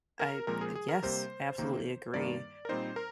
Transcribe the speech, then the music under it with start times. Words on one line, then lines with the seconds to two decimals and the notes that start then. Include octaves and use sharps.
I, uh, yes. Absolutely, I agree,
0.20 A#4
0.47 A#2 F3 G#3 C4 A#4
0.61 G#4
0.75 G#4
0.89 A#4
1.03 C3 G3 A#3 C5
1.58 C3 D#3 A#3
2.14 G2 D#3 A#3 D5
2.65 A#4
2.69 A#2 G3 C4 D#4 C5
2.96 A#4